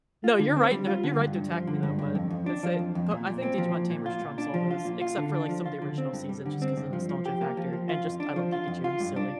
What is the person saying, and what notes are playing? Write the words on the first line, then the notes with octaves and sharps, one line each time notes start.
No, you're right th You're right to attack me, though. But I'm gonna say but I think Digimon Tamers trumps all those except for, like, some of the original seasons just 'cause the nostalgia factor, and just, I love Pikachu, he's silly.
F4
D3
C4
G3
F4
D3
G2
G2
F3
D3
G2
G2
F2
F2
D4
F3
F2
F2
A#2
A#2
C4
F3
A#2
A#2
F4
A#2
D4
F3
F4
A#2
F4
D3
D4
F3
F4
D3
C4
G2
G3
D3
C4
G2
F3
F3
G4
A#3
F3
F3
F4
F2
D4
F3
F4
F2
F4
G2
D4